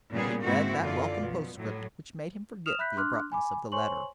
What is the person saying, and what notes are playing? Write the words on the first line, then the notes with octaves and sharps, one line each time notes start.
And he read that welcome postscript, which made him forget the abruptness of the letter.
A#2 C#3 G3 B3 G#4
G#2 A#3 C4 E4 F#4
F#2 D3 E3 F4 D5
B2 F3
A2 F#3
D#6 F6 E7 F7
E5 B5 F#6 G6 B6
D4 C6 D6 F6 F#6
G#5 B5 D6
C5 C#5 G#5 C6 C#6 F#7